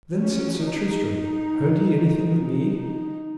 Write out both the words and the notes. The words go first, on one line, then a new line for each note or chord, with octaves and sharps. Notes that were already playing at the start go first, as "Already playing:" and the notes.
Then said Sir Tristram: Heard ye anything of me?
C#4
D#4
D#4